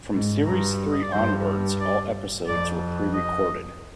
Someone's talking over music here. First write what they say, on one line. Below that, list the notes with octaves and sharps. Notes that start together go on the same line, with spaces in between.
From series three onwards all episodes were pre-recorded.
G#2
G2 A#5
D#5
D5
G2 C5
D5
F2 D5
D#5